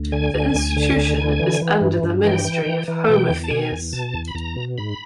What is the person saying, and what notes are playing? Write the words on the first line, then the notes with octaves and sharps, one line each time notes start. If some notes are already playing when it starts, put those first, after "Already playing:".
The institution is under the Ministry of Home Affairs.
Already playing: D2
D3 G#5
D2
D2
D3
D2
D3
E3
E3
G2
G2
E3 G5
E3
E3
E3
B2 G5
E2
A5
B2 G#5
E2
B2 A5
E2
B5
E2 A#5
B2
G#2 B5